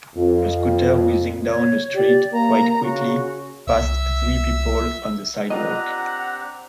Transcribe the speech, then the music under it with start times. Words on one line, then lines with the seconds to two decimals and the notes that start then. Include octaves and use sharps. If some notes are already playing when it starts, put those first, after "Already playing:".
A scooter whizzing down a street quite quickly past three people on the sidewalk.
0.15 F2
1.48 C#5
1.95 G4 D5
2.33 A#3 A#5
2.83 C#3 F#4
3.67 C2 E5 E6
5.50 C4 D4 F4 G4 A#4 D#5 F#5 A#5